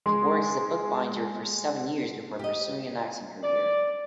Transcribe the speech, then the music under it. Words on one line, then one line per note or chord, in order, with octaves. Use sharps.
He worked as a book-binder for seven years before pursuing an acting career.
G#3 C6
G4 D#5
D5